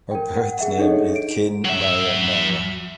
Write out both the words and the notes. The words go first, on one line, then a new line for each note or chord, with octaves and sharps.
Her birth name is Khin Mya Mya.
A#4 G5
F#5
G#4 E5 F#5
D4 D#4 G#4 A4 C#5 D#5
D7
F#3 E5